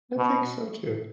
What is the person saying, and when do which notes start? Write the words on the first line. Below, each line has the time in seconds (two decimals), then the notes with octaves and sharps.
I think so too.
0.18 B2